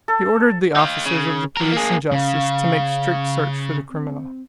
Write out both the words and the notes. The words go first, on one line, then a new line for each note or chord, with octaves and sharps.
He ordered the officers of the police and justice to make strict search for the criminal.
A4
D#4 F5
C#3
F3 A#4
A#3 G#4
C#3 F5
C4